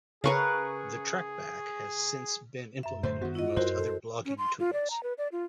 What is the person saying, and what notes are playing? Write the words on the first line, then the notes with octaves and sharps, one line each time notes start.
The TrackBack has since been implemented in most other blogging tools.
C#3 G#4 A#4 B4 F5 C#6
F#2 E5
A2 D3 A3 C5
D#3 B3 F#4
E4 F4 D#5
F#2 E4 F#4 A#4 C5
A4
C#4
C6
F4
D5
A#5
B4
D5
F4